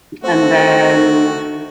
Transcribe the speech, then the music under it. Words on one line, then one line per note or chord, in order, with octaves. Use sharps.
and then,
A3 C4 F#4